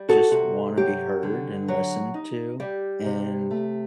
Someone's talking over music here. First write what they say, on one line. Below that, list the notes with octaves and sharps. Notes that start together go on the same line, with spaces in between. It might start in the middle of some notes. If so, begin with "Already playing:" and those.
just wanna be heard and listened to, and
Already playing: G3
F#4 A4
C3 F#4
F#3 G4
D3
F#3
D#4
G3 G4
C3
A3